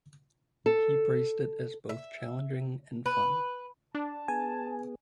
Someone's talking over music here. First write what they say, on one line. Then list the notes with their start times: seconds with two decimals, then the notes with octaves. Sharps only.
He praised it as both challenging and fun.
0.66 A4
1.89 E5
3.06 B4
3.95 D4 A5
4.28 B3 G#4 G#5